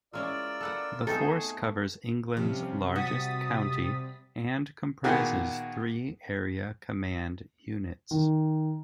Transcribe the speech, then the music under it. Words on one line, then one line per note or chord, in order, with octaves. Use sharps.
The force covers England's largest county and comprises three area command units.
G#3 C#4 E4 F4 A#4 D5 E6
A4 B4 F#5
A3 B3 C4 D#4 G#4 A4
C3 F3 G3 C#4
G3 F#4 D#6 A6 B6
A#2 D#3 B3 F#4 G#4
D#3